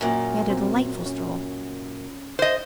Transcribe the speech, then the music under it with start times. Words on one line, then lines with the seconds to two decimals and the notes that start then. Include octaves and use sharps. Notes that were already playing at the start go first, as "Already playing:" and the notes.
We had a delightful stroll.
0.01 F#2 A#2
0.50 C4
1.06 C#4
2.39 C5 D#5